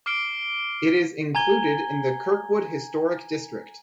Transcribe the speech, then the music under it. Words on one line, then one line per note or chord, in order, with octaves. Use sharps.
It is included in the Kirkwood Historic District.
D6 F6 C7 D7 G7
G#5 A#5 G#6 G7